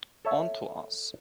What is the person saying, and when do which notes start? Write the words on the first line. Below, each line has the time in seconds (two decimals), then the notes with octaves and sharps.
On to us.
0.25 A4 C#5 E5